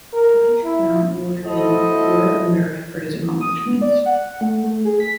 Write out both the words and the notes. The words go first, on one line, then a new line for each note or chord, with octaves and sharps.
The British Crown awarded him the Order of Merit for his accomplishments.
A#4
E4
A3 E4 F#4 A4 C5 D#5
E3
D#6
B3
D5
F#5
A3
A3
G#4
B6